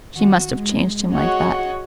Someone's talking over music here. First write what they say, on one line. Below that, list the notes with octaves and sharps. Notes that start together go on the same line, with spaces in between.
She must have changed him like that.
D#3 F#4
G#3
F#4 G#4 C#5 D#5 F#5